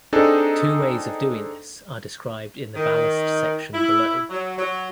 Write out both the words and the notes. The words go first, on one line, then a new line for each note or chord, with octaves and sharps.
Two ways of doing this are described in the ballast section below.
C4 D4 D#4 G#4 A4
D#3
E4
F#3
F#3